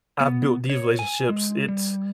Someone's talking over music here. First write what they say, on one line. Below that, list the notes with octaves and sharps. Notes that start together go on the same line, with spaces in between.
I've built these relationships, it's
B3
C#5
G#5
G#3
G3